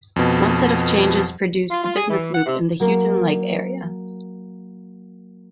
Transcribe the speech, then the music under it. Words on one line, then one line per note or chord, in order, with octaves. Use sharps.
One set of changes produced a business loop in the Houghton Lake area.
F2 B2
F4
F4
G#4
E3
F#5
C3
F#3 A#3 A#4 C7